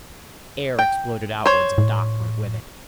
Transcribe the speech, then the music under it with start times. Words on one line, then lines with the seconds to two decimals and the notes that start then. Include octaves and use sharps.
Air exploded outwards, and Doc went with it.
0.79 G5
1.46 C5 C#5
1.78 A2